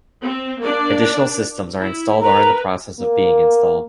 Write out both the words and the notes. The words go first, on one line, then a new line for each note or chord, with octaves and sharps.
Additional systems are installed or in the process of being installed.
C4
A#3 D4 D5
E4
A#4 B4 A#5
A#3